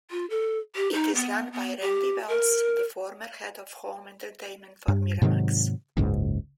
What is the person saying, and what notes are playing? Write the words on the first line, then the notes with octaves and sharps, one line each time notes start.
It is run by Randy Wells, the former head of home entertainment for Miramax.
F4
A4
G4
D#4
B3
B3
G4
A#4
G2
G#2 C3 D#3 F#3
F#1 C#2 G#2